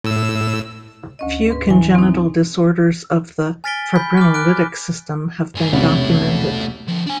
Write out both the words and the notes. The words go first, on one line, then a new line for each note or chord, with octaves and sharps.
Few congenital disorders of the fibrinolytic system have been documented.
A2 E6
D2 C#4 D#5
G#2 B4
E3 G#5
C4 D#4
G#5 F6 A6 B6 D7 G7
B5 G6 B6
D6 F6
F6 F#6 D7
G2 G#4
E1 C2 A3 C#4 E4
D3 F3
D4 G#5